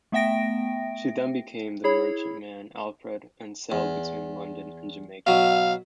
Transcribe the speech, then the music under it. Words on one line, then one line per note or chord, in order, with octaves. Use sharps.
She then became the merchantman "Alfred", and sailed between London and Jamaica.
A3 B3 E5 G5 A#6 D7
E4 G#4 C#5 B5
E2
B2 F#3 F5